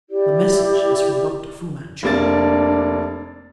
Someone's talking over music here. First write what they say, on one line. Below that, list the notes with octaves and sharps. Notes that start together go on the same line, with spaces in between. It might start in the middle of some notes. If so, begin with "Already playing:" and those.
"The message is from Dr. Fu-Manchu!"
E4 G4 D5
F1 A#3 D4 A6